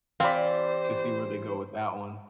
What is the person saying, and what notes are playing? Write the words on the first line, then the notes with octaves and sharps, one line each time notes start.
to see where they go with that one.
E3 C4 G4 C5 D5 F5 B5